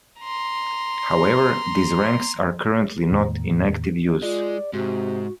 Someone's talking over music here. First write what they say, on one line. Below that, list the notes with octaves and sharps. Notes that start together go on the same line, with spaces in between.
However, these ranks are currently not in active use.
A#5 C6
E2 A2 D#3 A#3
G#3 F4 D5
G#2 C3 F#4